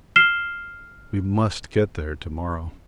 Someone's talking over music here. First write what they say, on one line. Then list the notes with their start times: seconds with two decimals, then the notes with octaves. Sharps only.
We must get there to-morrow.
0.16 F6 C7 E7 G7